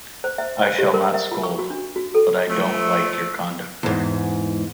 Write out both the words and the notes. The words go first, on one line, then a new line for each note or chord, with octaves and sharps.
I shall not scold, but I don’t like your conduct there.
C5
E5
C5
G4
A#4
E5
F4
C#6
F#4
D4
F#4
A4
F3 A3
E2 G#2